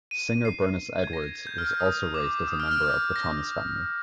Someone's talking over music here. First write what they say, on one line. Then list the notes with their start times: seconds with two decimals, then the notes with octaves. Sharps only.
Singer Bernice Edwards was also raised as a member of the Thomas family.
0.11 D#7
0.45 C7
1.04 G#6
1.13 A#6
1.24 G#6
1.35 G#6
1.47 G6
1.58 F6
1.69 G6
1.80 D#6
2.14 D6
2.48 D#6
2.60 F6
2.71 F6
2.82 G6
3.16 A#6